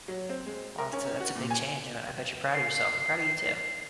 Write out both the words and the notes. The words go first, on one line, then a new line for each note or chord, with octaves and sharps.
Well, that's a that's a big change. I I bet you're proud of yourself. I'm proud of you too.
F#3
C4
G#3
A#4
C#4
F#4
A#2
G#5
C7